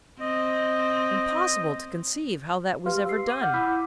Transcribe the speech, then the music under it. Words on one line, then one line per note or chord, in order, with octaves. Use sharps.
Impossible to conceive how that was ever done....
C4 D#5
G4 B4 F5 C6 F6
E6 C7
D6 D#7
F#5 F6 G6
E4 F#5 B5 D6 E6 B6